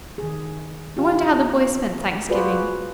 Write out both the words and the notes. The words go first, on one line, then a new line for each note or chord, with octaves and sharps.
I wonder how the boys spent Thanksgiving.
D#3 G#4
F4 G4
F4 F#4 G#4 B4 C5 D5